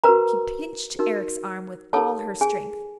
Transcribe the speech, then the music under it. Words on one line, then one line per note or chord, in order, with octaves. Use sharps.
She pinched Eric's arm with all her strength.
F#4 A#4 B4 A#5
D#4 F#4 A#4
D#4 G4 A4 A#4 C#5 A5
G#4 G#5